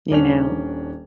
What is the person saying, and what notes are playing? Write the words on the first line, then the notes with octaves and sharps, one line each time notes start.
You know?
D#1 D#3 C#4 D4 D5 F7